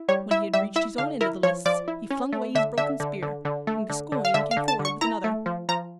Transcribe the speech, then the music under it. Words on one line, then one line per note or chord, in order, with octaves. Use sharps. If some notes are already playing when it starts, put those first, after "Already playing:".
When he had reached his own end of the lists, he flung away his broken spear, and Gascoyne came forward with another.
Already playing: E4
G3 C#5
E4 E5
G3 E5
E4 E5
D3 F5
E4 A#4
F3 C#5
F3 D5
E4
C#4
A3
D3 E5
D3 E5
D3
D3
D3
A3
D3
D3
F5
D3 E5
F5
D3
A5
D3
C#6
E4 A#5
A3
F3
F3 A#5